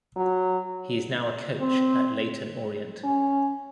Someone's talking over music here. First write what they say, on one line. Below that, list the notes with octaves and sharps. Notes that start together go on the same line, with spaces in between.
He is now a coach at Leyton Orient.
F#3
C4
C#4